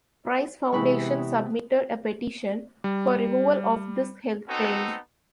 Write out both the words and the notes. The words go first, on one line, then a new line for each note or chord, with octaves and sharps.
Price Foundation submitted a petition for removal of this health claim.
C3 E3 G#3 B3 C4 B5 C#6
G3
B3 C4 D#4 F#4 A4